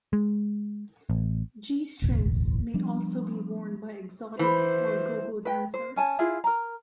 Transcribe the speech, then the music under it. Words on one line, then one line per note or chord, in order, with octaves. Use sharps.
G-strings may also be worn by exotic or go-go dancers.
G#3
A1
E1 A1 D2
F3 G3 B3 D4
E3 C5
B4 G5
C5
C#4 G#5 A5
E4 F4 G#4
A#4 A#5